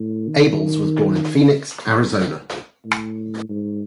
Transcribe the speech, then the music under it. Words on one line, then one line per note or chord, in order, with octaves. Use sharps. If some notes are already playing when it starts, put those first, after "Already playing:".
Abels was born in Phoenix, Arizona.
Already playing: A2
D#3
A2
G#2